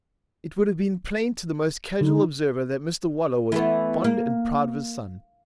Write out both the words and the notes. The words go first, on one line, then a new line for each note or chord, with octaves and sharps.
It would have been plain to the most casual observer that Mr Waller was fond and proud of his son.
D3 D#4
E3 A3 B3
A#3